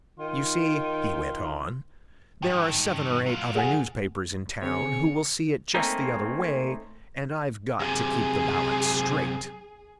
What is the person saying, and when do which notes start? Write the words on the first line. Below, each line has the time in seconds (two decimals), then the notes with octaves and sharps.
"You see," he went on, "there are seven or eight other newspapers in town who will see it just the other way and I've got to keep the balance straight."
0.19 D#3 F4
2.42 G2 D#3 G5
3.26 F#3 F4
3.55 G#4 F#5 G#5
4.62 D3 C4 G#4 C#5
5.74 A3 A#3 C4 C#4 D#4
7.80 F#2 C3 G#4